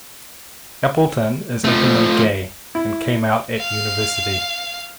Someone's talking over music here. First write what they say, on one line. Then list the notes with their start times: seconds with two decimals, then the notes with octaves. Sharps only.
Appleton is openly gay, and came out at university.
1.64 F3 A3
2.75 E4
3.58 F5